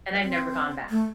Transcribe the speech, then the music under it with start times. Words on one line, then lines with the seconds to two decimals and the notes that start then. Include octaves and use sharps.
and I've never gone back.
0.23 C4
0.89 A3